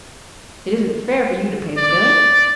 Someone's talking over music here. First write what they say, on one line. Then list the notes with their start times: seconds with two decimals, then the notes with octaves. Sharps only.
It isn't fair for you to pay the bill.
1.78 D5